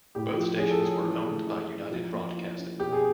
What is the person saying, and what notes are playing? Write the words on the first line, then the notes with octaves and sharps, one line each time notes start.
Both stations were owned by United Broadcasting.
A2 G4
F3
C#4 G#4
A4
G#3 G#4
E3
A3
E4
C#4
F3
A#3
E4
C#4
B2 G4
G#4